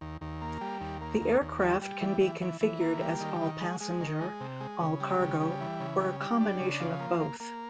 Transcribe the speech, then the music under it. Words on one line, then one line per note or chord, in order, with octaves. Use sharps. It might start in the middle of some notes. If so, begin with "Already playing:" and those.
The aircraft can be configured as all-passenger, all-cargo or a combination of both.
D#2
D#2
A#3
G3
D#2
A#3
D#2
D#2
G3
G3
E3
E3
E3
E3
A#3
G3
D#3
D#3
G#3
G#3
D#3
G#3
C3
G#3
C#3
G3
C#3
G3
E3
C#3
G3
G3
D4
C#3
F3
A#3
A#3
A#3